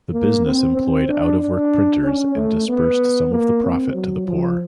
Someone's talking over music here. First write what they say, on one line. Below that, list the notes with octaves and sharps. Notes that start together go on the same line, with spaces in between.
The business employed out-of-work printers and disbursed some of the profit to the poor.
A#3
C4
C4
D4
D4
C#4
A3
B3
A#3
C4
F#3
F3